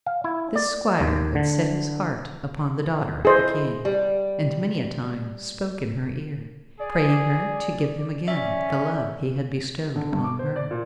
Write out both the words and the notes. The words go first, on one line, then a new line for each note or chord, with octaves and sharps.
This squire had set his heart upon the daughter of the King, and many a time spoke in her ear, praying her to give him again the love he had bestowed upon her.
F5
E4
D5
D#2
D3
E4 G#4 C5 D#5
G3
G#4 D5
C#4 E5
D3
G2
D6
C5
D5
A#2